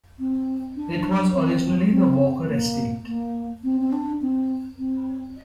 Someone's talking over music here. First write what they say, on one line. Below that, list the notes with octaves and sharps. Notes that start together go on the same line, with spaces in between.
It was originally the Walker estate.
C4
D4
C4
C4
A#3
A#3
C4
C4
D4
C4
C4